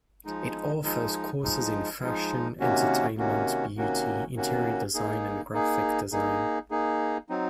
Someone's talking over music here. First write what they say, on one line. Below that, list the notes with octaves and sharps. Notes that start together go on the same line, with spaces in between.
It offers courses in fashion, entertainment, beauty, interior design, and graphic design.
F3 G#3 D#4
F3 G#3 D#4
F3 G#3 D#4
F3 G#3 D#4
C3 D#3 A#3 C#4 F#4
C3 D#3 A#3 C#4 F#4
C3 D#3 A#3 C#4 F#4
C3 D#3 A#3 C#4 F#4
A#3 D#4 G#4
A#3 D#4 G#4
A#3 D#4 G#4
A#3 D#4 G#4
F#3 C4 D#4